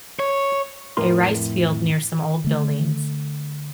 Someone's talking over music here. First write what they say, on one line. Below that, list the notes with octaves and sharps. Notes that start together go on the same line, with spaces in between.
A rice field near some old buildings.
C#5
F2 A2 A#4 B4 C6
D3 A3